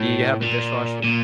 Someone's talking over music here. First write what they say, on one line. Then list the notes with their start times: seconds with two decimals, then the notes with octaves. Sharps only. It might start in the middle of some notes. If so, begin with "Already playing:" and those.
Do you have a dishwasher?
Already playing: A2
0.43 A#2
1.04 A#2